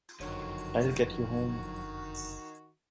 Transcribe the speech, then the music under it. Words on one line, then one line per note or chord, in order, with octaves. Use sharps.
I'll get you home.
F#1 F2 D3 D#3 F3 F#3 F#4 C#5